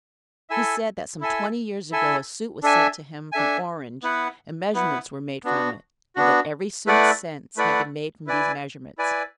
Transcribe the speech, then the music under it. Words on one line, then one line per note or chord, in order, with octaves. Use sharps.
He said that some twenty years ago a suit was sent to him from Orange, and measurements were made from it, and that every suit since had been made from these measurements.
E4 A4 E5 G#5
E4 A4 E5 G#5
E4 A4 E5 G#5
D4 A4 E5 G#5
D4 A4 E5 G#5
B3 E4 B4 F#5
B3 E4 B4 F#5
B3 D4 F#4
B3 D4 F#4
A3 E4 B4 D5 F#5
A3 E4 B4 D5 F#5
E4 B4 D5 G#5
E4 B4 D5 G#5